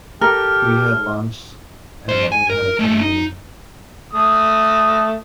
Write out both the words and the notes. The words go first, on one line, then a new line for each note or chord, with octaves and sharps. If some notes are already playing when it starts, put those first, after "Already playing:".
We had lunch and then we had a team meeting.
G4 A4 A#4 F6
F2 C5
G#5
A#4
G#3 A3
D#4
A3 D#6